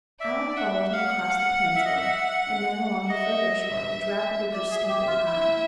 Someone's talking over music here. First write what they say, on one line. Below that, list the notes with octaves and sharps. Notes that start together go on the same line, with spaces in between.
Alan followed him across the peninsula and then along the further shore, which rapidly grew steep and high.
D5 E5
E5 F#5
F5 F#5
F5
F5
E5
D#5
E5
D#5 E5
D5 E5
G#4
G4
F4
E4